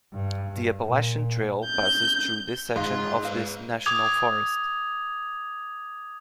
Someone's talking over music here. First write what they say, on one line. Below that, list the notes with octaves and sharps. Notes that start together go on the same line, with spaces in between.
The Appalachian Trail passes through this section of this National Forest.
G2
A#2
G6
G#2 G#3 F4 D#5 F5 C6
G#4 B4 D#5 F5
D6 D#6 G#6 F7